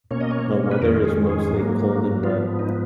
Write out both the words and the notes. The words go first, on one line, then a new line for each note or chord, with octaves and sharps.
The weather is mostly cold and wet.
B2 A#3 C#4 C#5
D#5
C#5
B4
F2 D#3 G#3 C#4 A#4
G#4
G#4
G#2 F#3 A#3
G#2 F3 B3 F4
D#4